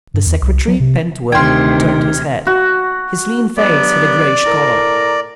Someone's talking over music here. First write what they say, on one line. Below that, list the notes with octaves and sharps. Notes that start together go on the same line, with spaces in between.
The secretary, Pentuer, turned his head; his lean face had a grayish color.
G2
E2
C2
F#3
C3
D2 C3 D#3 G5 C6 F6 G#6
F#4
G2 F#3 B3 D5
A2 A#4 A#5